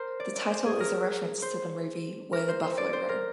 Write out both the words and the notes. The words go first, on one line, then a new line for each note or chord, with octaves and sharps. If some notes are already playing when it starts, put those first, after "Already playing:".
The title is a reference to the movie "Where the Buffalo Roam".
Already playing: A#4 C5
D5
D5
C5
G#4
A#4
C5
A#4
C5
C5
D5
C5
A#4